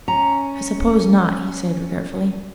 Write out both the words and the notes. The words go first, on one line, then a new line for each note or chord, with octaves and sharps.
"I suppose not," he said regretfully.
C#4 A#5